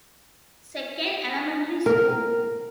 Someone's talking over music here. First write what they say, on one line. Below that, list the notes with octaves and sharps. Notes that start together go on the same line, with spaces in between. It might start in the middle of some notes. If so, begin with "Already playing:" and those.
Second: elementary school.
A#4